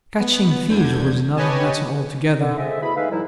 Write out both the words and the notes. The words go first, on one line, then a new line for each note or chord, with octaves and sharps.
Catching thieves was another matter altogether.
B3
E2 D3 G6 G#6
G4 B4 C#5 D#5 G#5 A5
D3
F2 G#3 A4 D#5 E5
B2 A3 E4 G#4 B5
G#3 A3 D#4 B4 E5 F5
G#2 D#3 F3 G3 D#4 E4